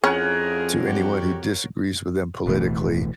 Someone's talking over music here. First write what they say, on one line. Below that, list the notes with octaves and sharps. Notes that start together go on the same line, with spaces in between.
to anyone who disagrees with them politically,
F2 C#4 E4 F4 G#4 A#4 C#5 F#5
F#4 G4
D1 B2 E3 A3